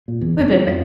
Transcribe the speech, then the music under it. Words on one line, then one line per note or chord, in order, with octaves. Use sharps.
We've been ma
A#2
E2
F#1
F3
F2